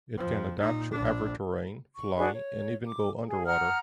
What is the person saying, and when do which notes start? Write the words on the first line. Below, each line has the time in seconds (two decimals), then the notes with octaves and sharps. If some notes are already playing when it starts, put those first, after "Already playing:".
It can adapt to every terrain, fly, and even go underwater.
0.17 F2 F3
0.61 A#2 D#4
0.93 A#1 D4
1.95 C#6
2.17 D4 F#4 G#4 B4
2.33 C#5
2.86 D6
3.27 G#4
3.45 F#5 A#5 D#6 F6